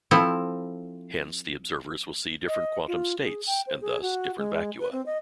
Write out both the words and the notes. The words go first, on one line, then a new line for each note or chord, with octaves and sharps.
Hence, the observers will see different quantum states and thus different vacua.
F3 C4 E4 A4
D#5
F4
G#4
G5
C5
G#4
F#4
G#3
B4
C4
D#5